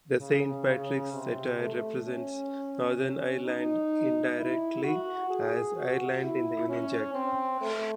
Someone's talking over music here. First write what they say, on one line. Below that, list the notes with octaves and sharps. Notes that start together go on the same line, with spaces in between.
The Saint Patrick's Saltire represents Northern Ireland indirectly as Ireland in the Union Jack.
C#3
C#3
C3
A3
C#4
C#4
D#4
E4
F#4
G#4
F#4
E4
C#4
C4
A3